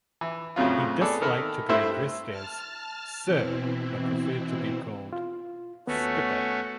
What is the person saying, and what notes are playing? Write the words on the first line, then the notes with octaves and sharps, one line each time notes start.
He disliked to be addressed as "Sir" and preferred to be called "Skipper".
E3
F2 A2 C#3 F#3 F4
B3 G#4 A4 D5
D#3 A4 A#4 E5 B5
G2 A3 E4 C5 E5 F#6
A5 F6
B2 E3 C4 E4
F4
D#2 A3 B3 C#4 F#4